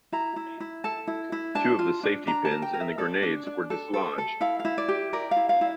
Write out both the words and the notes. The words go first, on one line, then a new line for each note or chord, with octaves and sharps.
Two of the safety pins in the grenades were dislodged.
E4 A#5
E4
E4
A4 A5
E4
E4
D4 A5
F4
D4
D4 A#5
A5
A#4
G5
A#4
E5
A4 D5
D4
D4
A4
A4
A4
E4 F5
F5
E4
D5
G4
A#4 D5
F5
E4
F5
E4